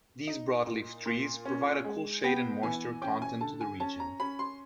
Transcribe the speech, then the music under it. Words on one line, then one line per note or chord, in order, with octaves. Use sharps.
These broadleaf trees provide a cool shade and moisture content to the region.
D#4
A#2
A#2
C#4
G#3
B3 G5
E3 G#5
C#4 G5
G#5
D3 A5
G#5
C#4 A5
A#5
C#4 B5
C6